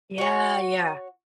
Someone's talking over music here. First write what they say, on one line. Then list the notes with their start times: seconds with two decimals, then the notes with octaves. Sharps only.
Yeah, yeah.
0.18 F#4 C#5